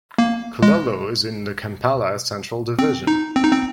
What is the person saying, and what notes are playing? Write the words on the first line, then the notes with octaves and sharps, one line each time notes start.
Kololo is in the Kampala Central Division.
A#3
G#3
C4
D#4
C4
D#4
C4